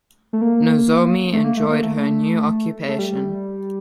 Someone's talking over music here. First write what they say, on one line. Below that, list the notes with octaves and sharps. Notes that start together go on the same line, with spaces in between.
Nozomi enjoyed her new occupation.
A3
A#3
A3
A#3
A3
A#3
A3
A3
A3
G3